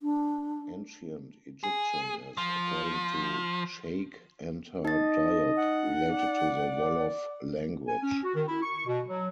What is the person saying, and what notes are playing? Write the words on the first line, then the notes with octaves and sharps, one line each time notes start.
Ancient Egyptian is, according to Cheikh Anta Diop, related to the Wolof language.
D4
G#4
F3
D#4 D#5 A6
F#5
D5
G#5
C#4
F#4
D#3
E4
C#6
B2
F#3